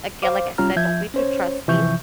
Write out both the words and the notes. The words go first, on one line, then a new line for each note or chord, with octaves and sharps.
again, like I said, don't be too trusting,
C5 F5 D6
C2 G3 C#4 F4 A#5 F6
F3 E5 G6 G#6
C#4 C5 C#5
C3 E3 F3 E5 C#6 G6